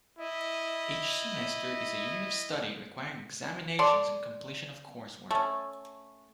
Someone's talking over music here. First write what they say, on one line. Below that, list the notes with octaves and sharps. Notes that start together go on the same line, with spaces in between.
Each semester is a unit of study requiring examinations and completion of coursework.
E4 D#5
A4 D5 C6
A3 C#4